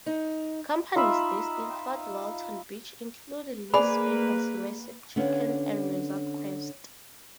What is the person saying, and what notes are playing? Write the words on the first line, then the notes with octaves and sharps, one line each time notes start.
Companies based in Fort Walton Beach include Lee's Famous Recipe Chicken and ResortQuest.
D#4
D#4 F4 E5 B5
A#3 G#4 B4 D5 B5
D3 B3 C#4 C#5 F5